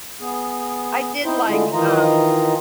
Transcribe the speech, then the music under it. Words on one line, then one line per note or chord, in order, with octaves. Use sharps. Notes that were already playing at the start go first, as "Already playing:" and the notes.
I did, like, um,
B3 G#4
C4 D#4 E4 C5
D3 G#3 A3 E4 F4 G#4
D#3 E3 D#4 F4 A#5